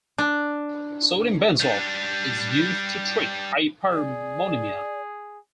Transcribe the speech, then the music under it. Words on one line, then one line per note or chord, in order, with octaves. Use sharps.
Sodium benzoate is used to treat hyperammonemia.
D4
G3 D4
G#4 D5